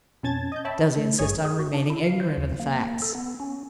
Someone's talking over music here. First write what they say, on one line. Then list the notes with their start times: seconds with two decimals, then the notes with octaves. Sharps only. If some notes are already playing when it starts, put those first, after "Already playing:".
Does he insist on remaining ignorant of the facts?
0.23 F2 B2 C#4 A5 G#6 A6
0.52 D#5 G6
0.65 C#5 E5 G5 A5 B5
0.96 A3
1.18 G#1 G2 G#4 C#5 D#6 G#6
1.45 G#4
1.59 F#4
1.73 D4
1.90 E4
2.04 F5
2.21 C5
2.37 D#2
2.60 A#3
3.02 A4
3.15 B3
3.40 C#4